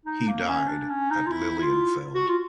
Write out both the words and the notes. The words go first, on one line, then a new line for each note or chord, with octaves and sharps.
He died at Lilienfeld.
D#4
A#3
C#4
D4
C#4
D#4
F4
E4
E4
F4
F#4
F4